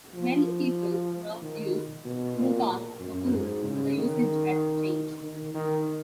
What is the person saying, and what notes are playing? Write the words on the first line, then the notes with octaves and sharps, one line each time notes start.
Many people now use crouton for croute, so the usage has changed.
F3
D#3
B2
A#2
F#2
G#2
C#3
D#3
D#3
D#3